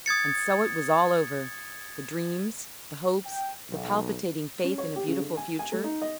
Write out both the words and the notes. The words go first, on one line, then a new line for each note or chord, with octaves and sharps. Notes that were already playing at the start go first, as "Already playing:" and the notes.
And so it was all over--the dreams, the hopes, the palpitating faith in a beautiful future.
D#6 G#6 A6 C#7
G5
B1
C#4
C#5
G4
C#3
D3
G#5
G#5
A3
D#4
D#5